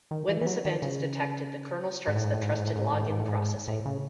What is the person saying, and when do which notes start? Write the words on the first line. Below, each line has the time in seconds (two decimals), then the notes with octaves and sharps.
When this event is detected, the kernel starts the trusted login processing.
0.11 D#3
0.29 E3
0.41 E3
0.47 F#3
0.65 D#3
0.82 C#3
2.08 G#2
2.16 A2
2.24 G#2
2.34 A2
2.42 G#2
2.50 A2
2.59 G#2
2.68 A2
2.76 G#2
2.84 A2
2.93 G#2
3.02 A2
3.10 G#2
3.20 A2
3.28 G#2
3.68 A2
3.85 C#3